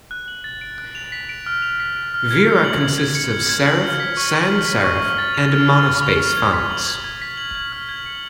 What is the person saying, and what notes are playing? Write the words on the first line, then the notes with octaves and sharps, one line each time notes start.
Vera consists of serif, sans-serif, and monospace fonts.
F#6
F#7
A6
D7
F#6
F7
B6
D7
F6
F7
B6
D7
F6
G#6
C#7
F#7
G#6
G#6
C#7
F#7
G#6
F#7
F6
B6
C#6
F#7
F6
B6
C#6
F6
A6
F7
F6
F6
A6
F7
F6
G#6
B6
F#7
G#6
G#6
B6
F#7
G#6
F6
G#6
C#7